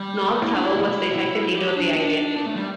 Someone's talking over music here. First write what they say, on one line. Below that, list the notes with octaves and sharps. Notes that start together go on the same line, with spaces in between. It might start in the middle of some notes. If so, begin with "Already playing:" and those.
Nobbs, however, was the effective leader of the island.
Already playing: G3
A3
E4
D4
E4
G4
D4
D4
D4
A3
G3